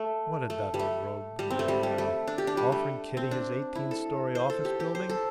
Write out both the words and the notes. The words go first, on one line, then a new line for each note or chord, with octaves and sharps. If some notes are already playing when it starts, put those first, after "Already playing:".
What had that old rogue been doing now--offering Kitty his eighteen-story office building?
Already playing: A3
A3
G3
A3
G3
C4
A3
G3
G3
A3
D4
G4
D4
G3
A3
C4
D4
E4
A4
C5
A4
G4
G4
C5
A4